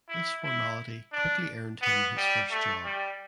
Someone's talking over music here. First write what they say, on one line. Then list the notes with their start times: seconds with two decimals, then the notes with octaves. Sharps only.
This formality quickly earned him his first job.
0.09 E4
0.43 E4
1.12 D4
1.82 B3
2.17 G3
2.50 A3
2.84 G3